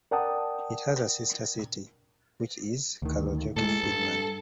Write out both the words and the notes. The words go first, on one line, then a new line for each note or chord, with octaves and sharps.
It has a sister city, which is Kalajoki, Finland.
A#4 D5 F#5 G5 A5 D#6
D2 D#3
A2 G#3 A4
G2